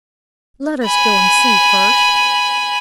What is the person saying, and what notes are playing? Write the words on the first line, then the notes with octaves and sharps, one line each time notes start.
"Let us go and see first."
G#5 B5